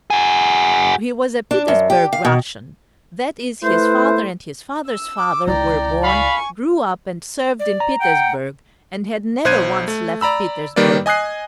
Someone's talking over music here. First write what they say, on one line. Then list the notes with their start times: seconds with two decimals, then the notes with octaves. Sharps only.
He was a Petersburg Russian; that is, his father and his father's father were born, grew up and served in Petersburg and had never once left Petersburg.
0.10 F#4 G#4
1.51 D4
1.68 F#2
1.90 G4
2.13 F5
2.25 B2
3.63 A3 E4 B4 C5
4.88 E6
5.17 D6
5.47 C#2 E4 D5 G5 A#5
6.04 F5 G#5 B5 C#6
7.60 D5
7.80 A#5
8.01 F#5 G5
9.45 B1 C5 F#6 G#6 D#7
9.88 A3
10.21 D5 A#5 B5 E6
10.76 D#3 G3 A#3 B4 D5
11.06 D#5 G#5 D#6 F#6 C7